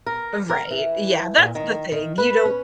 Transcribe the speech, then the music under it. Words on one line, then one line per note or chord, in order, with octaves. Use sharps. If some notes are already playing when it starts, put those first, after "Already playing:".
Right, yeah, that's the thing, you don't
A#4
A#4
E3
A#2
D#3
D#3
B4
C#4